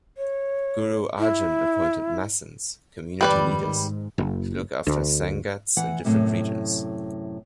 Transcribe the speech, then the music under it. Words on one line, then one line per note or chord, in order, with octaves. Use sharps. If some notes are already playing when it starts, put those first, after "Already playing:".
Guru Arjan appointed masands, community leaders, to look after sangats in different regions.
C#5
E4
G#1 F2 D#3 G3 B4 D5
G#2
F#1
D2
E3 F#5
F#2 A2 C3